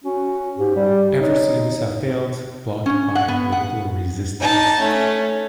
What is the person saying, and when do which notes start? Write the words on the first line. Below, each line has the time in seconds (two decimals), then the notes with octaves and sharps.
Efforts to do this have failed, blocked by political resistance.
0.04 C#4 F#4
0.58 G#2 G4
0.76 G3
1.20 D#4 C#5
2.86 C#4
3.15 F#5
3.28 B3
3.52 F#5
4.40 D#4 A5
4.80 A3 C#4